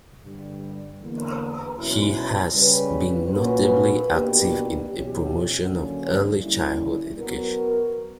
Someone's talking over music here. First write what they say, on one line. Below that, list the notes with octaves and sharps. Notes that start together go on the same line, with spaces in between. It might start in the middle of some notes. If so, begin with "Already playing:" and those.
He has been notably active in the promotion of early childhood education.
G2 D3 G3
E2 D3 A#3
E2 B2 F#3 C#4 E4
C#3 G3 C#4 G4 B4
A#2 A#3 C#4 F#4 B4
B2 A#3 D4 G4 B4
E2 B2 F#3 C#4 G4
D3 F#3 A#3 C#4
D3 G3 A#3 C#4 E4
F#3 B3 F#4 A#4